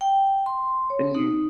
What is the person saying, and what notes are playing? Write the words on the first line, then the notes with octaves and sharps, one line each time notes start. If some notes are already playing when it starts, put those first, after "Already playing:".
And you
G5
C6
C#5
D#4